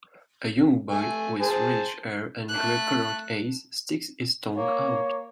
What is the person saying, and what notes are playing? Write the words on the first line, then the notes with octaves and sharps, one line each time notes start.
A young boy with reddish hair and gray colored eyes sticks his tongue out.
A3 G#5
G#4 C5 A5
A3 F#6
A#3 C#5